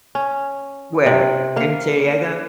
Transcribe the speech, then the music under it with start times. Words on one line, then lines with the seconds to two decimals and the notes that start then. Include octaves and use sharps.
Where? In San Diego?
0.15 C#4
1.06 C3
1.56 A#3 F5